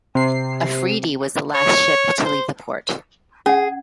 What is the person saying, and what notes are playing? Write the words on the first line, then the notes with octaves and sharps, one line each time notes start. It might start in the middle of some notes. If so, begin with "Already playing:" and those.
"Afridi" was the last ship to leave the port.
C3 C7
C#5
C5
C#4 G#4 F#5